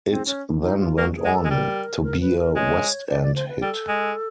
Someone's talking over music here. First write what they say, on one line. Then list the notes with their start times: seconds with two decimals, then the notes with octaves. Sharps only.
It then went on to be a West End hit.
0.09 C4
0.26 C#4
0.62 D#4
0.80 F4
0.97 A#3 F#4
1.15 G#4
1.25 G#3
1.33 A4
1.44 G#3
1.50 G3 A#4
2.04 A#4
2.21 B4
2.39 A#4
2.56 G#3 C#5
3.09 D5
3.23 D5
3.35 C5
3.49 B4
3.62 G3 A4
3.88 G#3